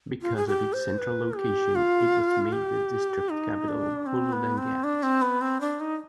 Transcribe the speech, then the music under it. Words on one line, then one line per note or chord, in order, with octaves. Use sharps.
Because of its central location, it was made the district capital of Hulu Langat.
F4
G#4
G4
C5
B4
G4
F4
G4
D#4
D4
C4
B3
C4
D4
C4
B3
C4
D4
D#4